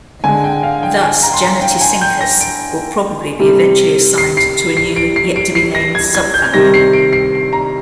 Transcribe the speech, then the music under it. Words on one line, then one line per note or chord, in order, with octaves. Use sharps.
Thus, "Janetaescincus" will probably be eventually assigned to a new, yet-to-be-named subfamily.
D3 G#3 G#5
G5
F5
G5
G#5
A#5
C6
A#5
G5
G#5
G6
A#6
D7
C3 G3
C7
C7
C7
D7
C7
D7
C7
A#6
G#6
G#6
G6
C3 D#3 G3 A#6
C7
D7
C7
A#5